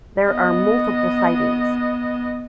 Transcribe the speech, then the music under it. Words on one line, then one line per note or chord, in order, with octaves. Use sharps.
There were multiple sightings.
B3 D#5